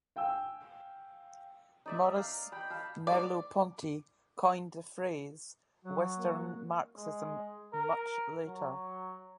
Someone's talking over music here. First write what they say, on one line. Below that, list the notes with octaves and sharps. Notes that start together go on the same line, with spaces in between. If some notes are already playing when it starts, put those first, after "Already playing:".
Maurice Merleau-Ponty coined the phrase "Western Marxism" much later.
F5 G5 G#5 E6
D#4 D5 E5
F5 A#5
G5 B5
F5 A5 B5
D5
F#3 F#4
A#3
G#3
A#4
F#3